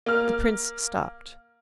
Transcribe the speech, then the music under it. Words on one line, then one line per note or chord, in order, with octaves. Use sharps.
The prince stopped.
A#3 F6